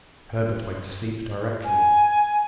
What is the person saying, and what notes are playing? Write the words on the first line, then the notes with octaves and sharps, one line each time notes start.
Herbert went to sleep directly.
G#5